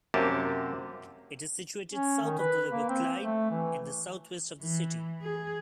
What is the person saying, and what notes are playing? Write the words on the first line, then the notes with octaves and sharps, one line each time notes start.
It is situated south of the River Clyde, in the south-west of the city.
F#2 C3 A#3 G4 A5
C#4
D#3
B4
A#3
C4
A3
E3
E3
G#4